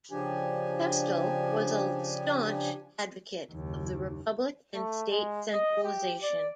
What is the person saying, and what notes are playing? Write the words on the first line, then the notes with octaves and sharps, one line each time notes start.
Pestel was a staunch advocate of the republic and state centralization.
C#3 F3 D4 G4 G#5
F#1 D#2
A3
G#3
D#5
G4
D5